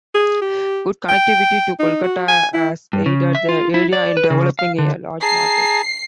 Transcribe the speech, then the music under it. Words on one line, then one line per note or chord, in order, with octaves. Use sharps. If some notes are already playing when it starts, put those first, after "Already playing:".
Good connectivity to Kolkata has aided the area in developing a large market.
G#4
G4
G5
D#4
F#4
G#5
E4
G2
C#3
E5
F4
E4
D5
B4
C#3
F5
D3
G#4 A5 A#5 C7